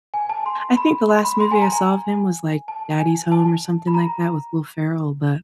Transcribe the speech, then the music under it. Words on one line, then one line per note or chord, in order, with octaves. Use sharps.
I think the last movie I saw of him was, like, Daddy's Home? Or something like that with Will Ferrell? But
G#5
A5
C6
B5
C6
B5
C6
G#5
A#5
G#5
A5
G#5
A5
B5
A#5